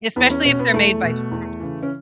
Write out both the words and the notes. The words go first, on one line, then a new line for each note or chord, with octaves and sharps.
especially if they're made by J from J
E2 B3
C#4
B2 C#4
B3
E2 A3
B2
E2
C#3 E3
C#4